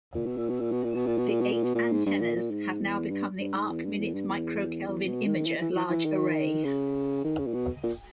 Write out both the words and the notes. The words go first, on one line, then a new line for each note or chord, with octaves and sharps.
The eight antennas have now become the Arcminute Microkelvin Imager Large Array.
A#2
B2
A#2
B2
A#2
B2
A#2
B2
A#2
B2
A#2
B2
A#2
B2
A#2
G#2
G2
A#2
A#2
G#2
E2
G2
G2
G#2
E2
G2
E2
G2
E2
E2
B2
D#3
E3
E3
E3
E3
D#3
C#3
D#3
C#3
A#2
B2
A#2